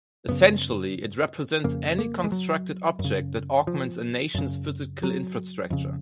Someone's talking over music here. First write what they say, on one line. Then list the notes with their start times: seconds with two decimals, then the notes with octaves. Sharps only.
Essentially, it represents any constructed object that augments a nation's physical infrastructure.
0.28 F#2 C#3 B3
1.64 F2 C#3 A#3
1.99 A#3
2.24 G#3
2.32 F#3
2.99 F#2
3.04 C#3
3.67 F3
4.35 F#2 C#3
5.03 F#3
5.70 F2 C#3